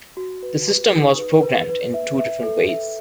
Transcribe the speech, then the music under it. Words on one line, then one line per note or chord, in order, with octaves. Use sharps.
The system was programmed in two different ways.
F#4
B4
B4
D#4
B4
B4
B4
E5
E5
A4
E5